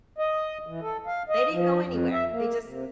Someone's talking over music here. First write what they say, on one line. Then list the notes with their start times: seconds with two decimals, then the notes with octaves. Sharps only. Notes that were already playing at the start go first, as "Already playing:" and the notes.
they didn't go anywhere, they just
0.19 D#5
0.67 E3
0.82 A4
1.07 F5
1.29 D#5
1.52 F3
1.86 F2
2.13 E5
2.31 A#3
2.65 C3